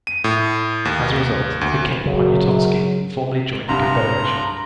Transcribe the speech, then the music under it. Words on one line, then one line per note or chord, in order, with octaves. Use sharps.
As a result, the King, Poniatowski, formally joined the Confederation.
D#7
A2
D#2
D2
F#2 C#3 F#3
C2 G2 A#5 C6